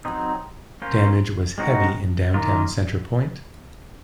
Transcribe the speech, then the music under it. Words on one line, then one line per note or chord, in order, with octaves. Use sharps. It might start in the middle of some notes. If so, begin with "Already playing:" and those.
Damage was heavy in downtown Center Point.
F#3 C4 D#4
A#3 C#4 F4 C5
G#3 C4 D#4 F#4 A#4
D#3 A#3 F4